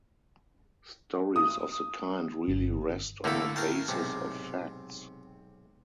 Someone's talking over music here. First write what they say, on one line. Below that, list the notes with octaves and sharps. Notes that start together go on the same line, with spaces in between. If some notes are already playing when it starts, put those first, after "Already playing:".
Stories of the kind really rest on a basis of facts.
D#6
G1
A2 D3 A#3 E4 A4
A2 A#4 F5 A5
B1 G#2 C3